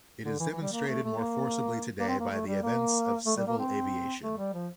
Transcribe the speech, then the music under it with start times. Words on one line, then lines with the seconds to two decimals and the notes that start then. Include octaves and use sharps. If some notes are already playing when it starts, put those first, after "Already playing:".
It is demonstrated more forcibly today by the events of civil aviation.
0.23 D3
0.39 E3
0.50 E3
0.61 G3
0.72 A#3
0.87 A3
1.04 A3
1.19 A#3
1.99 A#3
2.08 C4
2.19 A#3
2.31 A3
2.47 G3
2.62 A#3
3.26 A3
3.37 G3
3.47 A#3
3.58 C4
4.21 A3
4.37 G3
4.54 F3